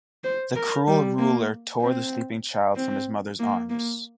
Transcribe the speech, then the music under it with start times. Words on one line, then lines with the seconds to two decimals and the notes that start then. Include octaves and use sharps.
The cruel ruler tore the sleeping child from his mother's arms.
0.24 C5
0.56 A#4
0.87 G3
1.18 A#3
1.81 C4
2.76 C4
3.39 A#3
3.70 A#3